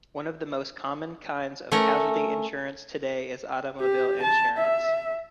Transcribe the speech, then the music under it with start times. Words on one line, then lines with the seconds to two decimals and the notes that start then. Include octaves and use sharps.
One of the most common kinds of casualty insurance today is automobile insurance.
1.72 A3 C#4 A#4
3.80 G4
4.22 A5
4.58 E5